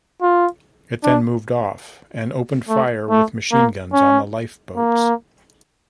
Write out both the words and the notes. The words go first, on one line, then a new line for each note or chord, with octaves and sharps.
It then moved off and opened fire with machine guns on the lifeboats.
F4
D4
A3
A3
A#3
C#4
A#3